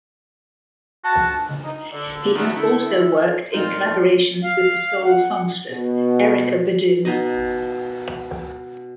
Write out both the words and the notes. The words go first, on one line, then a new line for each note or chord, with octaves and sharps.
He has also worked in collaborations with soul songstress Erykah Badu.
F#4 A5
D#4
D3
D#3 F#3 G3 A3 B3
D3 A3 E4 A4
A#2 C4 D#4 F4
F5
F#5
B2
B2 D#4 D#5